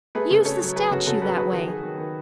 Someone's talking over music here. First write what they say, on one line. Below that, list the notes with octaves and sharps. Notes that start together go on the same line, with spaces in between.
"Use the statue that way."
A3 G#4 B4
C#3
C#4 A4 C#5
F#3
F#3 G#4 B4
C#3 F#4 A4
C#3 F#4 A4
F#3 G#4 B4
F#3 G#4 B4
D#3 F#4 A4
D#3 G#4
D#3
D#3